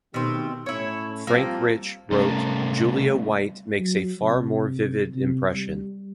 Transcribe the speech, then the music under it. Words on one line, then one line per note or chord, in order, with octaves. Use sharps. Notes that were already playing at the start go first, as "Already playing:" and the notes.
Frank Rich wrote: Julie White makes a far more vivid impression.
B2 D#3 A3 C4 G4
A2 A3 C#4 E4 C#5
F3 G3 A3 A#3 C4 F4
C3 G3 A3 C#4 A4 A#4
F#3
C3
C3
G3